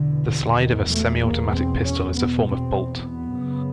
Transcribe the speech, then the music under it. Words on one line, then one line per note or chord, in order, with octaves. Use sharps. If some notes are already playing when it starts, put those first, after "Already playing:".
The slide of a semi-automatic pistol is a form of bolt.
Already playing: E2 B2 D3
D#3
A3
A#3
C4
C#4
B3
C4
B3
F#2 C#3